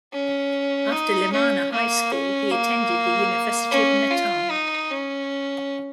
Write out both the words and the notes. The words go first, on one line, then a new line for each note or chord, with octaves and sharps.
After Lemana high school, he attended the University of Natal.
C#4
D#4
C#4
A#3
C#4
A#3
C#4
F4
D#4
C#4